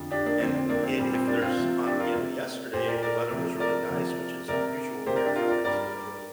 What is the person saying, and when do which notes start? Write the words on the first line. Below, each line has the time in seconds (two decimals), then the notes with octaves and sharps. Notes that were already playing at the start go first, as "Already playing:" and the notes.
And i if there's on you know, yesterday, the weather was really nice, which is unusual here for Thanksgiving, and
Already playing: F2 D3 F3
0.11 D4 G4
0.26 A#3 D4
0.40 F2 D3 A#3 C4
0.55 C4
0.69 A#3 D4
0.84 C4
0.98 A#2 G3 A#3 C4
1.13 C4
1.28 A#3 D4
1.42 C4 F4
1.57 C3 F3 A#3
1.86 D4 G4
2.00 F4 A#4
2.16 C3 A#3
2.73 A#2 A#3 G4 C5
2.88 A#4 D5
3.02 A#4 D5
3.31 C3 F3 A#3
3.60 A#4 D5
3.90 C3 F3 A#3
4.48 C3 A#3 A#4 D5
5.06 C3 A#3 G4 C5
5.16 A#4 D5
5.26 D4 G4
5.36 F4 A#4
5.50 A#4 D5
5.64 G2 G3 A#3 A#4 D5